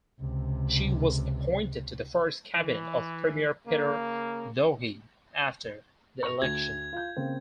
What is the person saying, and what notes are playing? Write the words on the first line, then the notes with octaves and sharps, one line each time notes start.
She was appointed to the first cabinet of Premier Peter Lougheed after the election.
C#2 C3
E3
C#3 A#3
C#6 A#6 F7
D2 G#6
F4 G6
C#3 A#3 C4